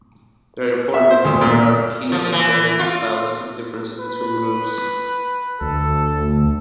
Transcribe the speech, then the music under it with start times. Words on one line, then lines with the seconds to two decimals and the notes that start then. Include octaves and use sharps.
They are important because they are the key to understanding stylistic differences between groups.
0.94 E5
1.10 C5
1.25 D2
1.41 A#2
2.12 F3
2.32 E3
2.79 F4
3.99 B4
5.61 D2 A4